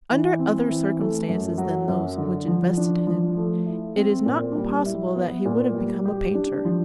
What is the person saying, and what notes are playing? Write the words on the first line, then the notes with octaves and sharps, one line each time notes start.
Under other circumstances than those which invested him, it is not impossible that he would have become a painter.
E3
C4
E3
A3
F#2
F#3
F#2
D3
F3
D4
F3
A3
E4
C4
A#2
G3
E4
B3
A#2
G3
G4
D4
F3